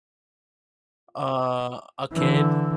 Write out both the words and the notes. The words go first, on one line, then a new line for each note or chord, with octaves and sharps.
Uh, a kid,
D3 E3